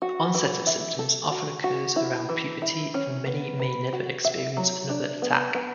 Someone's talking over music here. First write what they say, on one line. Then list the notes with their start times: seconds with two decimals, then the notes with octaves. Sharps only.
Onset of symptoms often occurs around puberty and many may never experience another attack.
0.02 F#4
0.35 E3
0.67 E5
0.99 A4
1.31 F#4
1.64 F#4
1.96 E4
2.29 E3
2.62 E4
2.94 C#4
3.26 B3
3.60 B4
3.93 F#4
4.25 E5
4.57 F#3
4.89 D4
5.22 B3
5.54 B3